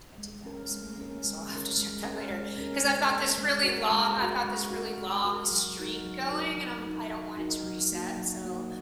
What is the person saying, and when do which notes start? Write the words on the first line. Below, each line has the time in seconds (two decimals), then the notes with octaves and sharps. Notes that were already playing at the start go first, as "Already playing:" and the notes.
"Did I do that this morning?" So I'll have to check that later, 'cause I've got this really long I've got this really long streak going and, um, I don't want it to reset, so
0.18 G#3
0.45 C#4 A#4
0.71 G#3
0.98 C#4 A#4
1.24 G#3
1.51 C#4 A#4
1.78 G#3
2.05 C#4 A#4
2.31 G#3
2.58 C#4 A#4
2.84 G#3
3.11 C#4 A#4
3.38 G#3
3.64 F#4 A#4
3.91 G#3
4.17 F#4 A#4
4.44 G#3
4.71 F#4 A#4
4.98 G#3
5.25 F#4 A#4
5.51 F#3
5.78 D#4 F#4 A#4
6.05 F#3
6.31 D#4 F#4 A#4
6.58 F#3
6.84 D#4 F#4 A#4
7.11 F#3
7.37 D#4 F#4 A#4
7.64 F#3
7.92 A#3 F#4
8.17 F#3
8.44 A#3 F#4